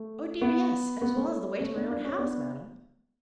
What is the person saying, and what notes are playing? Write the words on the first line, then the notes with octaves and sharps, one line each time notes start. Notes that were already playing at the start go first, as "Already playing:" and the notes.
'Oh dear, yes! as well as the way to my own house, Madam.
Already playing: A3
B3
B3
A3 C#4
A3 C#4
B3 D4
D4
C#4
B3 D4